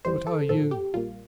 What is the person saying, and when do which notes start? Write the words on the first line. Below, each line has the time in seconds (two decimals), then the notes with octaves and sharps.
What are you?
0.05 G1 F2 E3 G3 C5
0.27 A4
0.49 A#1 A2 F3 C4 A4
0.71 G4
0.94 A#1 A#2 G3 A#3 F4